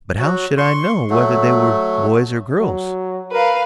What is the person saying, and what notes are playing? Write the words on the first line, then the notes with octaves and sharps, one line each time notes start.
"But how should I know whether they were boys or girls?"
F#3 F#4
C6 C#6
F#3 A3
F#3
A#4 B4 F5